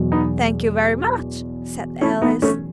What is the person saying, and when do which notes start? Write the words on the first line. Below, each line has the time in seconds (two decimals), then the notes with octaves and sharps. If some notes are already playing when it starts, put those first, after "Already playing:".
'Thank you very much,' said Alice.
Already playing: E2 B2 F#3
0.12 B3 D#4
2.01 C#4 E4
2.22 B3 D#4
2.42 A3 C#4